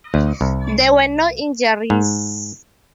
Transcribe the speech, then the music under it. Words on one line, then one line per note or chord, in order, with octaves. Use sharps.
There were no injuries.
D2
C2
G#2